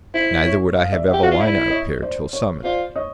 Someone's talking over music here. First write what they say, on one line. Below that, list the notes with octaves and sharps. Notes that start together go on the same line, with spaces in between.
Neither would I have Evelina appear till summoned.
E4 C5
C#5
D#5 F5
D5 E5
G4 E5 F#5
F#4 D#5 F5
F4
E4 D5 E5
C#5 D#5
C5 D5
C#5
F4 C5 D5
C#5 D#5